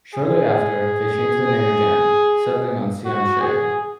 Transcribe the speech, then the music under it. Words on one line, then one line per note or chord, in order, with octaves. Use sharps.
Shortly after, they changed their name again, settling on Siam Shade.
G#4
F#4
G#4